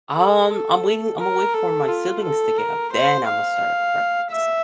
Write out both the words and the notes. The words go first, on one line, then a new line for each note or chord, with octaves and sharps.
um, I'm waiting I'm a wait for my siblings to get up, then I'm a start up breakfast.
A4
A4
A#4
A4
F4
A4
A#4
C5
F5
E5